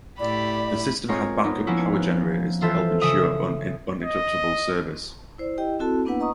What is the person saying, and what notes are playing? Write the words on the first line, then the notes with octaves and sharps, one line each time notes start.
The system had back-up power generators to help ensure un-interruptible service.
A2 E4 G4 D5 B5
G#3 C4 F4 A#4 C#5
B3 D#4
F3 A#3 B3 C#4 E4 B4
E3 F4 A4 C5 E5
C#3 E5 D#6
D#5
E4 C5 D5
E4 G4 D#5 G5
C4 E4 F#4 A4 A5
A#3 B3 D4 E4 B4 F#5
B4 D#5 A#5 C#6 D#6